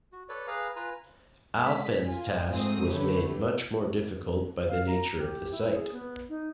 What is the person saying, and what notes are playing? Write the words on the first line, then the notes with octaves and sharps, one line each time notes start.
Alphand's task was made much more difficult by the nature of the site.
F#4
A4 B4 C#5 D5
G#4 B4 F5 A#5
F4 B4 G#5 A#5
G#3 B6
F4 G#5
G#2 C3 A3 C4 C5 D#6
D3 G3 A3 G4 B4 C#5
F5
A#5
G4
E4
G#4
B3
D#4